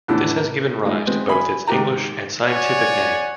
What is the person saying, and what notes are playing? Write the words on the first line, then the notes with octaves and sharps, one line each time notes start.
This has given rise to both its English and scientific name.
E2 A2 D3 E3
A#4
G#3 D#4
G#3 B3 C4
E5 G#5 B5
G#2 D#3 G4 G5 A#5
C#5 D5 F#5 G#5